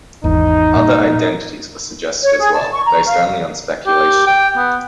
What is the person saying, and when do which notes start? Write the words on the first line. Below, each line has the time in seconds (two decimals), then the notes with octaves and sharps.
Other identities were suggested as well, based only on speculation.
0.24 G#1 E2 E3 D#4
0.76 A#2
2.24 C#5
2.39 G#4
2.54 A5
2.74 C#6
2.85 A#5
3.05 F5
3.86 G4
4.27 G5
4.57 B3